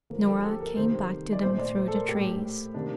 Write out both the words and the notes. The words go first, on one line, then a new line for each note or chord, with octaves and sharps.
Norah came back to them through the trees.
D3 F3 A#3 A#4
A4
G4
A4
A#4
C3 D#3 G3 A#3 C5
D5
A#2 A3 C5
D5
C5
A4
A#4
A2 A3 G4
C3 D#3 A#3 D4